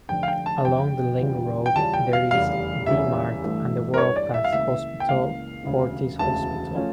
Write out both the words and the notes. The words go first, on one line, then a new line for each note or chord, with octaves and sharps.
Along the link road, there is D-Mart and the world-class hospital - Fortis Hospital.
F1 F2 D3 G5
F5
G5
A5
F1 F2 D3 G5
E2 C#3 G3 C#4 F4
G5
E2 C#3 G3 C#4 F4 A5
G5
F5
F1 E2 C#3 G3 C#4 F5
F1 E2 C#3 G3 C#4 E5
A1 G2 E3 A3
A#4
A1 G2 E3 A3 C#5
D5
E5
F5
C#2 C#3 E3 A#3 E5
G5
C#2 C#3 E3 A#3 F5
E1 D2 C#3
E1 D2 C#3 A5
F3 A3 C#4 F4